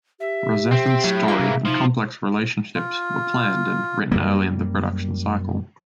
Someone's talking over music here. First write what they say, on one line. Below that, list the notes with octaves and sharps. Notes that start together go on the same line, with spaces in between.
"RahXephon's" story and complex relationships were planned and written early in the production cycle.
G4 E5
C4 E5
A2 F#3
E3 A#3 F4 G#4
C3 G#4
F3 D#4
F4
F#2 G3 A#3